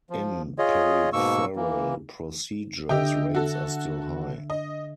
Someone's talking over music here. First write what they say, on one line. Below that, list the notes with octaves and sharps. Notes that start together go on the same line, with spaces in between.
In peripheral procedures, rates are still high.
F3
F4 G#4 C#5 D#5
G#2 B2 A#3 C#6 E6
E3 A#3
D3 G4 D#5 E5 G5
F#4 A4
D#5